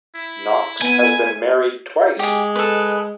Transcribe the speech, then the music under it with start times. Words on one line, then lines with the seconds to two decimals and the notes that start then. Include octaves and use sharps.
Knox has been married twice.
0.16 E4
0.82 B3 G#5
2.19 G#3 G4 G#5
2.56 A4 B4